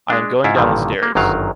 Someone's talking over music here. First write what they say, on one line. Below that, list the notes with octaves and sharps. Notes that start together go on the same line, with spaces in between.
I am going down the stairs.
G#3 D4
G#2 E4 F4
A1 G2 A#2 D3 D#3
A#3
G1 F#2 D#3 F#3 F5